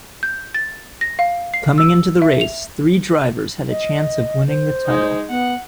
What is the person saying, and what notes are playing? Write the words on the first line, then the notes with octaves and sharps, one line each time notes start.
Coming into the race, three drivers had a chance of winning the title.
G6
A6
A#6
F5
C7
E6
E5
F7
D#5
C5
G#3 D#4
B3 F#5